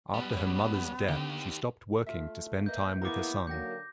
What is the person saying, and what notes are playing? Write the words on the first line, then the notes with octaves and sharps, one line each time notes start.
After her mother's death, she stopped working to spend time with her son.
F#2 G3 B3
C#5
D3 D#3 G4
A3 F4 E5
A#3 B4 D#5 E5 G6
E2 A#3 B3 E4 A#4 A#5 D6
D3 F#3 A#3 D#4 F#5 G5 G6 A#6